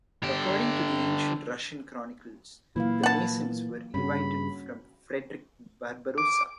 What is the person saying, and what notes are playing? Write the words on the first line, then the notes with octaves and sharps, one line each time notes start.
According to ancient Russian chronicles, the masons were invited from Friedrich Barbarossa.
D3 G4
A#2 E3 F#3 A#3 E4 F5
F#5 A5
G2 C#3 C#4 F#4 B5
D6